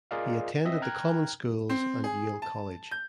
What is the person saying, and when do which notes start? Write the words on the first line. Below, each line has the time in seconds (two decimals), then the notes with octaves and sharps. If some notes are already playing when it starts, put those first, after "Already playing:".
He attended the common schools and Yale College.
0.11 F4 G#4 A#4 D5 D#5 F5
0.65 C4 D#5 E5
0.82 G5 A#5 F6 F#6 G#6
1.69 C4
2.04 G#4
2.42 A5
2.91 G6